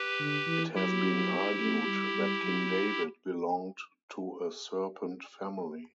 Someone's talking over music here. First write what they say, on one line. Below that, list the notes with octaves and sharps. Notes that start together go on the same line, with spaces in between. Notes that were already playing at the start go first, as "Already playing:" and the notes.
It has been argued that King David belonged to a serpent family.
Already playing: G4 B4
D3
E3
F#3 E4 G4
A3
G3
G3
F#3